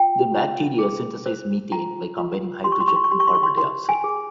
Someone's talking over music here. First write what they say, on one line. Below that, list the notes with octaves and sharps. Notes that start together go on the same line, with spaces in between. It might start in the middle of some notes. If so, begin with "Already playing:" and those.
The bacteria synthesize methane by combining hydrogen and carbon dioxide.
Already playing: F4 G5
F4
G#4
C5
F4 A#5
F4
G4 C6
C#6
C6
C#6
C6
C#6
G4 C6
C#6
C6
C#6
C6
E4 C6
G#5
G#4